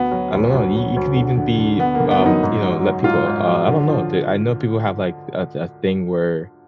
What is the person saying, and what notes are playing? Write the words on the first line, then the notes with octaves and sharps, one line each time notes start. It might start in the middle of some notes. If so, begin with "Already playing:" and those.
I know, you you could even be, um, you know, let people uh, I don't know, I know people have, like, a a thing where
Already playing: D2 B3
F#3
D2
D2
F#3
D2
D3
D3
D3
D3 B3
A#3
D3
B3
F#2 D#4
G#2
F#3
F#3
G#2 F4
G#2
F#3
D3
F3